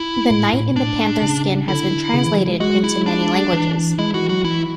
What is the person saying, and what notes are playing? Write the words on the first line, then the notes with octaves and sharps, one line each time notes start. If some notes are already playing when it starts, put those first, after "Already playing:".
"The Knight in the Panther's Skin" has been translated into many languages.
Already playing: E4
A2
A2
B2
A2 D4
C#3
D3 E4
C#3
E3
F#3
G#3
G#3 F#4
E4
D4
E3
G#3 E4
E3 F#4
F#3 F#4
E3 E4